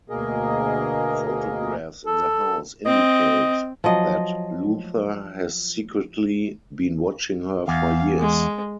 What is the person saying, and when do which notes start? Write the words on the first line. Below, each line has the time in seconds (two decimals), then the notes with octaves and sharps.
Photographs in the house indicate that Luther has secretly been watching her for years.
0.10 D2 B2 A#3 G#4 A#4 D#5
2.06 A4
2.86 C4 D#5
3.84 F3 F#3 D#5
7.68 E2 F5
8.20 G#3